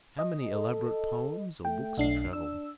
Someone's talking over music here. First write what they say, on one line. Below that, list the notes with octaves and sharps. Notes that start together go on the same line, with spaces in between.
How many elaborate poems or books of travel?
D#5
A4
A3 G5
B1 D4 C7
D4 E6